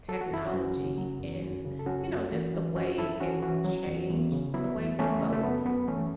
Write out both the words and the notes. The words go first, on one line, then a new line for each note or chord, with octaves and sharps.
technology and, you know, just the way it's changed the way we vote?
F#3 A4
F#4
F#2 E4
C#4 F#4
F#2
C#3
F#3
F#2
F#2
C#3
A4
F#2 C#4 F#4
F#2
E3
E3
F#2 C#4 F#4
F#2 E4 A4
E3 C#4 F#4
E3 C#4 F#4
F#3
E2
E2
C#3
F#3 B3 E4
E2
E2 A3 C#4
C#3
A3
F#2 B3
F#2 B3
E3 A3 C#4